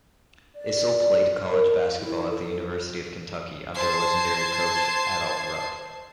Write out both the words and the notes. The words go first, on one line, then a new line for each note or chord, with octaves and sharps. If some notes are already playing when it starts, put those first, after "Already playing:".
Issel played college basketball at the University of Kentucky under legendary coach Adolph Rupp.
D5
A#4
E4
A4
C5 A5 G#6 C7